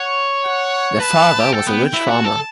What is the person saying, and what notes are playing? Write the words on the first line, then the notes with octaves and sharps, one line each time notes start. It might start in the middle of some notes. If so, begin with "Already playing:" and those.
Their father was a rich farmer.
Already playing: C#5 F#5
F#5
B4 A5
G4
A4 G5
B3
E4
F#4 A5
A4